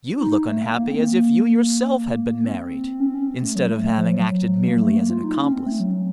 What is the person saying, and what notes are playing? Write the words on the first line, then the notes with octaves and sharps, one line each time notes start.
You look unhappy as if you yourself had been married instead of having acted merely as an accomplice.
D#4
A3
A#3
A#3
C4
A#3
C4
C#4
C4
C#4
C4
A3
F#3
A3
A3
F3
F#3
A#3
A3
A#3
F4
D#4
C#4
C4
A3
F#3